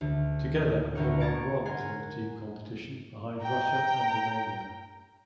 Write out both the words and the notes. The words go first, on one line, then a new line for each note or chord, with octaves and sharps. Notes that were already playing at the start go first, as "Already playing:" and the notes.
Together they won bronze in the team competition behind Russia and Romania.
D2
D2 A2 A#4 F#5 C#6
A#5 C#6 G#6 A6 C#7 D7
A#4 F#5 G#5 C6
G5 A#5